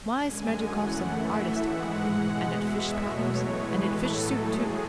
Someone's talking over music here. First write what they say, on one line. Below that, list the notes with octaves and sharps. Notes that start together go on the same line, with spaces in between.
My Smerdyakov's an artist at coffee and at fish patties, and at fish soup, too.
F#2 D3 G#3 G#5
F#2 E3 A3 F#5
A2 E3 A3 E5
G#2 E3 G#3 F#5
B2 G#3 F#5
E2 B2 G#3 E5
B2 F#3 A3 C#5
A2 E3 G#3 B4
A2 F#3 A3 A4
A2 G#3 G#4